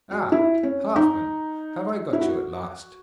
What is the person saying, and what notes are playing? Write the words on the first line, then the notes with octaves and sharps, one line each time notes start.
'Ah, Halfman, have I got you at last?
F#4
E4
C#4
D#4
E4
F#4